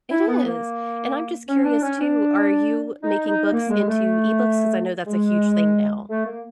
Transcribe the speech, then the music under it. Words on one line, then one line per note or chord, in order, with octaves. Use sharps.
It is. And I'm just curious, too, are you making books into e-books? 'Cause I know that's a huge thing now.
E4
B3
A#3
C#4
D4
C#4
D4
D#4
D#4
A#3
G#3
A3
G#3
A3
A#3